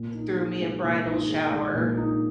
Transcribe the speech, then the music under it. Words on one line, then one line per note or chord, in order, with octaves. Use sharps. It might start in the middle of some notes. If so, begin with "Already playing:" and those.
threw me a bridal shower,
Already playing: A#2
D#4
G#4
G#3
A#2
D#4
G#4
G#3
A#2
D#4